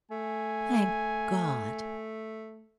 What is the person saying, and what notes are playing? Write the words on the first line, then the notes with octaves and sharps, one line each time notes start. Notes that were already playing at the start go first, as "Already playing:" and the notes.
"Thank God!"
A3 G#5